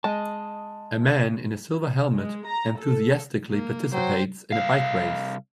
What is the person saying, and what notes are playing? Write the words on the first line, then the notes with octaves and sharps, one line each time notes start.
A man in a silver helmet enthusiastically participates in a bike race.
G#3 D#5 A5
G#3
A#5
A4
A#3
F#3 C5 G5
C2 F5